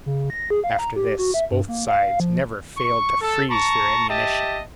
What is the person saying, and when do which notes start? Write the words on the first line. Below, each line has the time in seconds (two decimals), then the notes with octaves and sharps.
After this, both sides never failed to freeze their ammunition.
0.06 C#3
0.30 A#6
0.50 G#4
0.64 F5
0.79 A#5
0.96 G4
1.18 F#4
1.34 E5
1.51 G2
1.68 A#3
1.88 F5
2.20 F3
2.77 C#6
3.21 A4
3.50 A5 A#5 C#6
4.09 G4 D#5 E5 A5